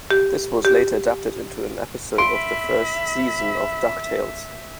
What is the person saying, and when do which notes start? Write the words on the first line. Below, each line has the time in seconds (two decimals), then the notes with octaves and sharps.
This was later adapted into an episode of the first season of "DuckTales".
0.11 G4
0.65 G4
2.18 E5 B5 C6 D7